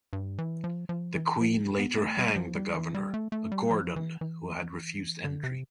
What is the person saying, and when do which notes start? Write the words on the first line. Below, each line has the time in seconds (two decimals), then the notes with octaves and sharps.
The Queen later hanged the governor, a Gordon who had refused entry.
0.13 G2
0.38 E3
0.64 F3
0.89 F3
1.15 E3
1.41 F3
1.79 B3
1.98 A3
2.17 G3
2.36 F3
2.56 G3
2.75 E3
2.94 G3
3.14 A3
3.32 A3
3.52 G3
3.71 F3
3.96 E3
4.21 E3
5.24 D3
5.44 C3